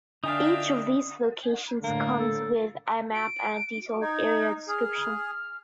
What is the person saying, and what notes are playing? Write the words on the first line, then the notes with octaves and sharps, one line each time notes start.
Each of these locations comes with a map and detailed area description.
D3 D4 D#4 E5 F5 G5 G#5 D#6
A2 D3 A3 A#3
A4
D7
D#4 G#6
G#4 F6